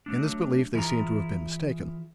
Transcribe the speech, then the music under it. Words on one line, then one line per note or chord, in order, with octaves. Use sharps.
In this belief they seem to have been mistaken.
F#3 A3 D4
E3 E4 F4 G#4 A#5